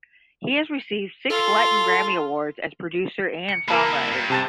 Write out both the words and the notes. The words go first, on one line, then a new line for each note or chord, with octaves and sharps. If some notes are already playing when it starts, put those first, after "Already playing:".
He has received six Latin Grammy Awards as producer and songwriter.
F4 A4
C#7
A#3 E4 A#4 A5 B5
G2
C3 A5 A6